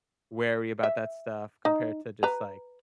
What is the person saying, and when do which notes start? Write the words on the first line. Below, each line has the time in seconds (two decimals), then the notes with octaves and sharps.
wary about that stuff compared to just, like
0.83 E5
1.65 D#4
2.23 B4 A#5